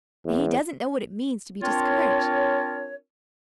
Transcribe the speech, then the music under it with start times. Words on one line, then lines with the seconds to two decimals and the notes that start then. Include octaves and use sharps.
And he doesn't know what it means to be discouraged.
0.25 E2
1.62 C4 D4 F4 A#4 C#5